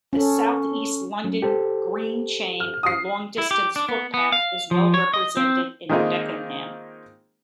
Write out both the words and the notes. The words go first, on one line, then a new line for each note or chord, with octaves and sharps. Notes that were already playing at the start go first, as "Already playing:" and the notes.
The South East London Green Chain, a long-distance footpath is well represented in Beckenham.
C#4 A4
F#3 C#4
G4 A4 C5
F6
D#6 C7
E4
G4
D4
B3
B3
F5
F3
C#5
D#5
C4
D#3 G#3 A#3 C4 D#4 F4